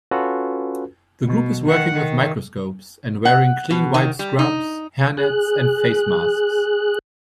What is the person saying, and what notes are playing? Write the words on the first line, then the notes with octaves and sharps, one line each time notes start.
The group is working with microscopes and wearing clean white scrubs, hairnets and face masks.
C#4 F4 F#4 A4 B4
B2
D#3 F#5
D#3
F#5
B2
D#3
G3
D#4
G#4 F#6